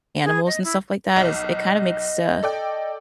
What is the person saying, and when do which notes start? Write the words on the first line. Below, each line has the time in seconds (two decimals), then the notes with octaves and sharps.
animals and stuff like that is it kind of makes, uh,
0.24 G#4
0.47 D#5
0.64 E4
1.16 B1 D#5
2.43 A4 D5 G5